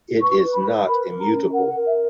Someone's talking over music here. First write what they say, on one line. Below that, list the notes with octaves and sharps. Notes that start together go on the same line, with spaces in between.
It is not immutable.
B4 C#6
B4
B5
B4
A#4 B5
A#4
A#5
C#4
A#4 F#5
F#5
A#4
E5